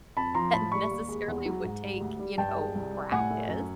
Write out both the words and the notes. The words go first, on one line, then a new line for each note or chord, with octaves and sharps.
that necessarily would take, you know, practice,
F2 A5 B5
F3 A#5 C6
A2 A5 B5
G3 B5 C#6
D#2
G#3
E2
F#3
G#2
G3
D2
G3
G2 G5 A5
G#3
C2
G3
A2 F#5 G#5
A3
F#2